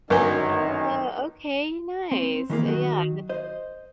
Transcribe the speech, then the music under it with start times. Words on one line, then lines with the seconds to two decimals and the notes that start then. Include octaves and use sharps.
Oh, okay. Nice. Yeah, d
0.10 G1 F#2 D#3 A#4 B4 G#5
2.11 C4
2.50 D#3 E3 A3 A#3 G#4
2.65 D#3 F#3 F#4
3.29 C5 D#5